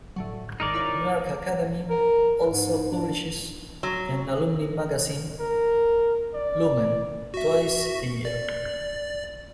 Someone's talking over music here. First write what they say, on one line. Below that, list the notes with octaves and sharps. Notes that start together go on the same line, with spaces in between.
Newark Academy also publishes an alumni magazine, "Lumen", twice a year.
A2 D3 F#3
G#1 G#2 D#3 D#4 A#4 D5
E4 F4 C#5
A#4
G#2
D4
F#3
A#4
D5
F#4 E5
D5